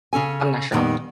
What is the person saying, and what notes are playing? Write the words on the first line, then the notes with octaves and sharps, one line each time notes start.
I'm not shocked."
C#3 C#4 A4 G#5
F2 A#2 D#3 G3 B3